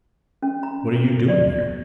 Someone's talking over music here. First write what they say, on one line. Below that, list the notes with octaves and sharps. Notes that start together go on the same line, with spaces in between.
What are you doing here?'
C#4
A#5
D5